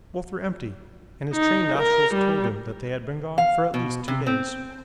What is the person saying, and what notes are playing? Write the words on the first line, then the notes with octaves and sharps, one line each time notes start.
Both were empty, and his trained nostrils told him that they had been gone for at least two days.
D#4
A#4
G3
F5
B2
C3
C4